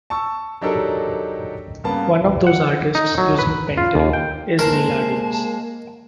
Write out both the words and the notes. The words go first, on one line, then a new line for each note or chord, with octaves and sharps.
One of those artists using Pentel is Neal Adams.
A5 C#6 E6
F#3 D4 D#4 G4 A4 A#4
G2 C#3 A#3 B3 A5
F#5
D#4
F#3
B4
F4
D#2
G5
G#3 A#3 A#4 C5 A5